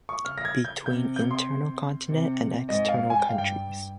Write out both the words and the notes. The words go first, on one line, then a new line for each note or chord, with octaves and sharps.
Between internal continent and external countries.
C#6
C#3 F6
A#6
G#6
G6
C3 G6
G6
C6
C3
G#2 D#5
F5
G#5
G5
G2 F5
G5